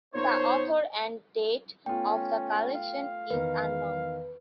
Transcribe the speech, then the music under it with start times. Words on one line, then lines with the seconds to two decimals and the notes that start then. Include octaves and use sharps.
The author and date of the collection is unknown.
0.15 A#2 B3 D#4 C5 C#5
1.86 A3 B3 C#4 F4 G5
2.74 F5
3.30 E2 D#3 B4